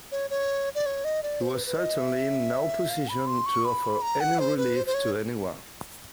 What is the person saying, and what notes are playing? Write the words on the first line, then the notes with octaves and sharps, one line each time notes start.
He was certainly in no position to offer any relief to anyone.
C#5
C#5
D5
C#5
D#5
D5
C5
B4
B4
D#5
E5
F5
B5
C6
C#6
B5
A#5
F#5
C5
B4
C5
C5
C#5